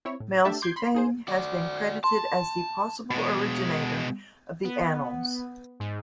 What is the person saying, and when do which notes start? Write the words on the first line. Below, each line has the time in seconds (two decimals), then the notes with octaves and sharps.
Maelsuthain has been credited as the possible originator of the "Annals".
0.05 C4 E4 C#5
0.20 A2
0.45 A3 D4 G4 E5 A5
0.62 C6 D6 G6 G#6 C7
0.76 B5 C6
0.95 D#4 G#4 C5
1.28 F#4 D5
2.04 A5 C6
3.11 B2 G#3
4.64 B3
5.80 G#2